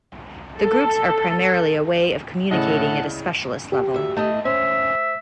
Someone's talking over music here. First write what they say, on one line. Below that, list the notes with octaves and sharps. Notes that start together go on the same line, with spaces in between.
The groups are primarily a way of communicating at a specialist level.
A4
A2 C#3 E4 A4 D5 D#5 F#5
G4
D2 E5
A3 E4 D#5
C#4 C5 E5